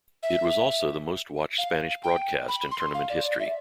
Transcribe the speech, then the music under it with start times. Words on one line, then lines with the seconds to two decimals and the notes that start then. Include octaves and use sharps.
It was also the most watched Spanish-language broadcast in tournament history.
0.23 E5
1.58 F5
2.04 G5
2.48 B5
2.71 C6
2.94 F5
3.10 D5
3.24 D5
3.40 E5